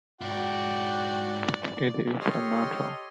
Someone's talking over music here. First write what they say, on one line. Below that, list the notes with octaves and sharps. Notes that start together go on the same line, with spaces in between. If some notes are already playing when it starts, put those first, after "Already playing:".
It is unnatural.
G#2 E4 F#4 D5 G5
G4 A4 C#5 D#5 C6 F6